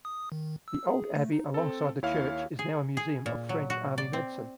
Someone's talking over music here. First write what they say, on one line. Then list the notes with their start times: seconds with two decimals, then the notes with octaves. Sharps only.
The old abbey alongside the church is now a museum of French army medicine.
0.05 D#6
0.32 D#3
0.68 E6
0.88 G#4
1.16 A3
1.32 D#4
1.54 C4 A4
2.02 D#2 E4 C#5 F5 F6
2.59 G#4
2.97 G#4
3.26 A#2
3.49 F#3
3.70 F#4
3.98 D5
4.13 C4